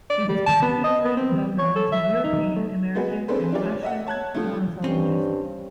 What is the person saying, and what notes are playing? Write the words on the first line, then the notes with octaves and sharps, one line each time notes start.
He was particularly well-known to European, American and Russian ornithologists.
D5
G3
A5
B3
D#5
B3
C4
C#5
A4
E5
D#4
A3
G#3 B3 F#4 G#4 B4
C4 D4 G#4 A4 B4 C5
D4 F4 G4 C#5 D5
D#5 E5 F#5
C#5 A5 F#6 G#6
F3 A3
G2 C4 C#4